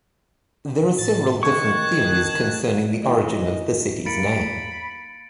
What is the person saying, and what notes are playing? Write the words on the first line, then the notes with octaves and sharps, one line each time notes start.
There are several different theories concerning the origin of the city's name.
A2 A6
D#3 A5 C#6 F#6 G#6
D#3 E3 G#3 D#5
A#3 B5 A6 C#7 D7